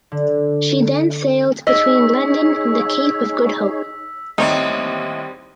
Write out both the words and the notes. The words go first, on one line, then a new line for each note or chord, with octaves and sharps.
She then sailed between London and the Cape of Good Hope.
D3
D#4 G#4 C#5 D#5 E6 B6
A1 D#2 G3 C4 D#4 C#5 D#5 E5